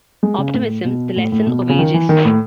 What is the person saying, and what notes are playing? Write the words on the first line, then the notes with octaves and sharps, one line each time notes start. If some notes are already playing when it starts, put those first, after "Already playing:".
Optimism: The Lesson of Ages.
G#3
C#3
A2
B2
A2
A2
B2
C#3
D#3
E3
D#3
A2